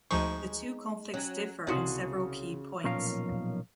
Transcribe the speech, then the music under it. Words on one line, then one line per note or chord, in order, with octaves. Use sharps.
The two conflicts differ in several key points.
D2 F3 G#3 D#4 C#6
F#3 C#4
C2 C#3 F#4 C6 D#6
B1 A#2 F3 C#4 A#4 F5